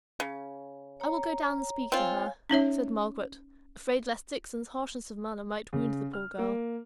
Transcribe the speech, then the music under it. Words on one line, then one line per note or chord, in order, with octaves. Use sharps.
'I will go down and speak to her,' said Margaret, afraid lest Dixon's harshness of manner might wound the poor girl.
C#3
C#5 A#5
C4 F4 C#5 F5 G#5
C#4 D#4 C#5 E5
C#3
F6
A#3